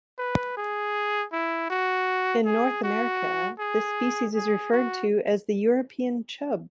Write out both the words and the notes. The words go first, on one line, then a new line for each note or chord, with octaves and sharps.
In North America, this species is referred to as the European chub.
B4
G#4
E4
F#4
G#4
F#4
G#4
G#4
F#4